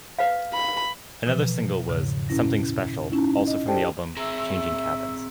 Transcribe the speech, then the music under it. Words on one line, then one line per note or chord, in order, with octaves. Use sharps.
Another single was "Something Special", also from the album "Changing Cabins".
B4 F5
B5
B2 E3 F3
E2 G#2 C#3
A#2 C#4 E4 A#6
C#4 D#4 E4
D#5
G4 A4 C5 D5 G5 A5
C4 G#4 E5 A#5 E6